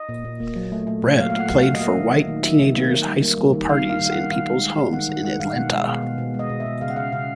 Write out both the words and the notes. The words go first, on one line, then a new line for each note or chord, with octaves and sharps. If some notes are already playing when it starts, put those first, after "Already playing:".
Red played for white teenagers' high school parties in people's homes in Atlanta.
Already playing: D#5
A#2
A#2
A#3
F#3
A3
A3
A#2
F#3 F5
F5
A3 F#5
F#3
F5
F#3
D#5
A#3 E5
D#3
D#3
D#3
F#3 E5
D#3
A#3
D#3
G3
A#3
G3
D#3
D#3 F5
G3
F5
D#3
F5
F#5
G3
D#3 F5
G#3
G#3
G#3
D#3 F#5
D#3 F#5
G#3 F#5
D#3 F5
B2 F#5
G#3
B2 F5
B2
B2
G#3
D#5
B2
E5
B2
C#3 F5
F#5
C#3 F5
C#3 F5